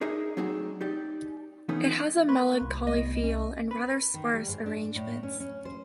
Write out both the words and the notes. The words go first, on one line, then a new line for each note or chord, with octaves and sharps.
It has a melancholy feel and rather sparse arrangements.
D4 D#4 G#4 A#4 D#5 E5
F#3 A3 C4 D4 D#4 G#4
D#4 G4 D5
E3 F3 A3 B3 C#4 D#4
A#3 B4 C6 C#6 F#6
C2
A3 B3 D#5
C#4
B4
D#3
G3
G#2
D4
A2
C#4
C#4
C5